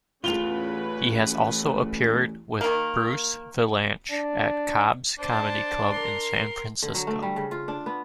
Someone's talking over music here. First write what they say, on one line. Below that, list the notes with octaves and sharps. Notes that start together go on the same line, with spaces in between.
He has also appeared with Bruce Vilanch at Cobb's Comedy Club, in San Francisco.
A1 E2 C#4 F4 B4 F7 G7
D#3 A#3
D4
D4 C5 A5
A#4 C6
D3
F#3
A3
G3
C#3
F4
D4
B3